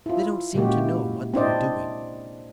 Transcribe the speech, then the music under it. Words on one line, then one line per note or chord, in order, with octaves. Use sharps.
They don't seem to know what they are doing.
E4 F4
A#2 C#3 G#3 A#3 F#4 G4
E4
C4 D4 E4 C5 D5 D#5